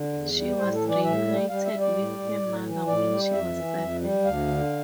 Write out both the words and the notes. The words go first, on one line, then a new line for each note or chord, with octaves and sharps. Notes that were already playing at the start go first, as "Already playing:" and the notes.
She was reunited with her mother when she was seven.
Already playing: D3
E2
G3
A2 C5
A4
E3
D5
A2 E5
G3
G3 F5
E5
G3
D5
A2
A2
A2
E3
A2 D5
G3
F2 E5
E3
F2
G3
D2 F5
D3